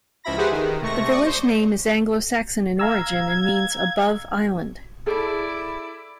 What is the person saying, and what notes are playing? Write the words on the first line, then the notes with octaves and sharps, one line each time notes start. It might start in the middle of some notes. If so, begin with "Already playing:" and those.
The village name is Anglo-Saxon in origin and means "above island".
C#2 F3 E4 B5 A#6
G4 G#4 B4 C5 F#5
D#3
C3 A3 C#6 A#6
D5 C#6 D#6
C5
F5 A#5 E6 G#6
E4 G#4 A4 D5